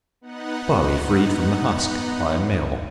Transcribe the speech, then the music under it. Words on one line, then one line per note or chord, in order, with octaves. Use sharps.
Barley freed from the husk by a mill.
B3 D#4 F#5